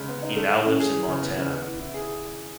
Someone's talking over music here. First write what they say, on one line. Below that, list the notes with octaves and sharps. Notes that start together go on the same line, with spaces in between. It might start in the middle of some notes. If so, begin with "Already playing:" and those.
He now lives in Montana.
Already playing: C#3 G#3
B3
D#4
A3
E3
C#4
G#4
E3
C#3
B3
C#3
B3
E3
E4
G#4